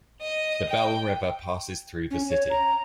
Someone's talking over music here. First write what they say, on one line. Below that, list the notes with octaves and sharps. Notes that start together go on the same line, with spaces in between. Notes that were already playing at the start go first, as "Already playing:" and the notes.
The Belle River passes through the city.
D#5
G5
C#4
C#5
A#5